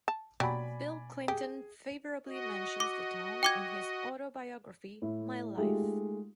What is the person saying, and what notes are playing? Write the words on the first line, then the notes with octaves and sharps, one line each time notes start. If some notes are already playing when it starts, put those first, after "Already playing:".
Bill Clinton favorably mentions the town in his autobiography, "My Life".
A5
B2 F#3 A#3 G4 D5 G#5 B5
G4 G#4
F#4 D#5
D6
G5 D6 G#6
A2 E4
G#3 A3 D#4 F4 G4 G#4